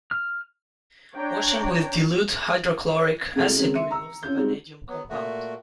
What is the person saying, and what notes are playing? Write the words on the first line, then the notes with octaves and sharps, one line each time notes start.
Washing with dilute hydrochloric acid removes the vanadium compound.
F6
D4 C#5 G5 A#5
C3 A3 E4 F#4 G#4
C#3 F#3 G#3 C4
E5 C6 C#7 D#7
A#5 E6
C#4 F4 G6
G3 G#3 C4 D#4 F#4
F#3 B3
A#2 A3 F#4